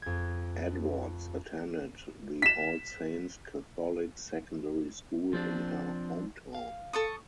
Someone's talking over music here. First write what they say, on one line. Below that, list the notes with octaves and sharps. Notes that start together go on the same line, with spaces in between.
Edwards attended the All Saints Catholic Secondary School in her hometown.
F2 G#6
B6 E7
F3 C4 D4
F5
A4 C#6 D#6